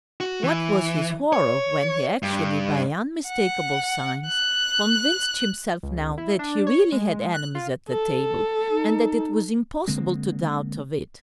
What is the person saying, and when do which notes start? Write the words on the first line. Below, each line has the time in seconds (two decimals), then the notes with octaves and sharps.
What was his horror when he actually, by unmistakable signs, convinced himself now that he really had enemies at the table, and that it was impossible to doubt of it.
0.20 F#4
0.43 E3
1.33 C#5
2.23 G2
3.27 F#5
4.27 F#6
5.83 C#2
6.18 E4
6.39 D4
6.67 C#5
6.92 G#3
7.34 F#6
7.55 F4
7.89 A4
8.70 D#4
9.88 D3 G#3 A#3 C4